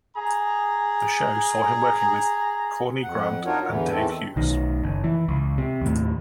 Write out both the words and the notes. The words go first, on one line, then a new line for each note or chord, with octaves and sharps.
The show saw him working with Corinne Grant and Dave Hughes.
G#4 A#5
F2 F#5
D4 D#4 F4 F#4 A#4 C#5
E2 D3 E3
E2 D#3 E3 C4 A4
B1 D#3
F#1
E3
C#2
C3
D#2 A2